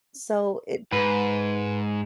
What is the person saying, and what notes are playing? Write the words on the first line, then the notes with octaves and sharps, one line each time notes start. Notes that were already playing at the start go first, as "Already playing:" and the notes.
So it
G#2 B4